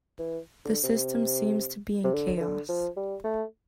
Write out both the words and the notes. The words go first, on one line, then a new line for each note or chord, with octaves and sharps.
The system seems to be in chaos.
E3
D3
C3
C3
D3
E3
D3
F3
G3
A3